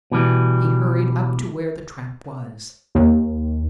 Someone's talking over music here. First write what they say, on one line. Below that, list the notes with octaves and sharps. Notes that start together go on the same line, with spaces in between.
He hurried up to where the trap was.
B2 E3 G3
D#2